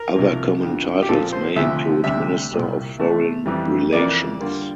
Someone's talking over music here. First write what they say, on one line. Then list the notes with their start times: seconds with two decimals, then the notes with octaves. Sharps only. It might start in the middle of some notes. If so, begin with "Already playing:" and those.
Other common titles may include "Minister of Foreign Relations".
Already playing: A#4
0.15 C2 C3 F3 A#3
0.62 F2 D3 F3
1.02 G4
1.09 A#2 F3 C4 F4 A4
1.33 C5
1.56 D2 C3 F3 E5
2.04 D2 C3 G3 D4 E5
2.51 C2 A#2 G3
2.98 C3 E3 A3
3.46 F2 E3 G3
3.93 F2 E3 A#3 D5
4.40 D3 G3 A#3 F4